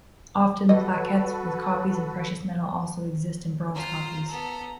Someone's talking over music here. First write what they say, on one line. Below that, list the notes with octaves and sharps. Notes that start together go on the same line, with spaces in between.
Often plaquettes with copies in precious metal also exist in bronze copies.
G3 F#4 A4 B4 D#5
F4 C5 A#5
B3 A4